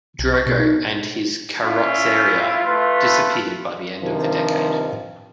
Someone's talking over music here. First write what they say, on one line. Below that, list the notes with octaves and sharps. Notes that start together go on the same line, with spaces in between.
Drogo and his Carrozzeria disappeared by the end of the decade.
B1
C#6
B2
D#4
C#4 E4 F4 E5
A3 F4 B4
G2 C3 D#3 F3